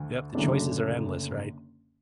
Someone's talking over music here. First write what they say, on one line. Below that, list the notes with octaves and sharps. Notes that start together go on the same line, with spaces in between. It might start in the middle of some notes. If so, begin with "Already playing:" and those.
Yep. The choices are endless, right?
Already playing: D2 D3
F#1 F#2 D3 A3 D4